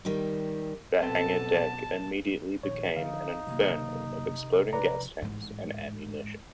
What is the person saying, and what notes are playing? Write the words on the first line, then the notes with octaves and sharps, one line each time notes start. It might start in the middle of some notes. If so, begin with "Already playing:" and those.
The hangar deck immediately became an inferno of exploding gas tanks and ammunition.
D#3 G3
F#2 B2 B3 C4 A4 A5
A#1 D#3 C#5
D3 D#3 F3 D#4 F5
F#1 C3 D#3 A#3
F1 B4 D5 A#5
A1 G#2